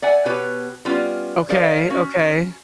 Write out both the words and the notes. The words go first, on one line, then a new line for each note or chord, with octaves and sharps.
Okay, okay.
D5 E5 F#5 G#5
B2 B3 G4 B4 C#5
G3 B3 C#4 F4
G#4 A#4 C5 D5 F5
C#4 F#4